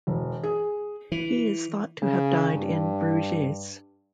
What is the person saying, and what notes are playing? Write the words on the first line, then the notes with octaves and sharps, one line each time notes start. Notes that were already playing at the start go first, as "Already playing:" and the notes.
He is thought to have died in Bruges.
E1
G#4
E3
C#3
G2